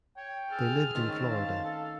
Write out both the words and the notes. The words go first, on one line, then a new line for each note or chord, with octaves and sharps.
They lived in Florida.
C#5 G5
G#4 A4 F6
D#3 A3 C4 C#4 A5
F5
A4